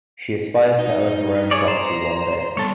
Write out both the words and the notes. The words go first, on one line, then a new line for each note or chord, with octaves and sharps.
She aspires to own her own property one day.
D#4
G#4 C#5 D5
C5 A#5
G3 B3 A4 C#5